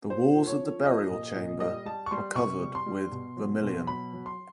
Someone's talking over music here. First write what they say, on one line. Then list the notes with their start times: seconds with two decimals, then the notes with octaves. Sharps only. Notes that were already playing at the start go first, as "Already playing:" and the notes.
The walls of the burial chamber were covered with vermilion.
0.09 A#2 C5
0.35 F3
0.47 C#5
0.61 F3
0.85 F3 D#5
1.10 A#2
1.35 A#2
1.60 G3 D#5
1.85 G3 A5
2.06 C#6
2.11 G3 C6
2.36 C3 C#6
2.62 G3
2.75 C6
2.86 G3
3.12 B2
3.37 F#3
3.63 B2
3.87 F#3 B5
4.13 F#3
4.26 C6